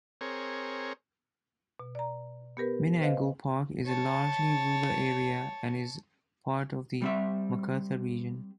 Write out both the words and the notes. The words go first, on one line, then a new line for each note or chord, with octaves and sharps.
Menangle Park is a largely rural area and is part of the Macarthur region.
C4 G#4 A#4 C#5
B2
D5 A#5
B3 G4 A#4 B4
B4 C5 D#5 F5
C#5 A5
G3 C4 E5